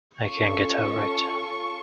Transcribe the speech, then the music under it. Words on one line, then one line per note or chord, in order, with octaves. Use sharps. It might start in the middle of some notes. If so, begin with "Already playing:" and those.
I can’t get over it.
C#4 F4 A4 C#6